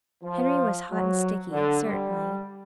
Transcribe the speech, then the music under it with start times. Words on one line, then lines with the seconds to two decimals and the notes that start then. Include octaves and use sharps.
Henry was hot and sticky, certainly.
0.23 F3
0.91 F#3
1.51 D3
1.85 G3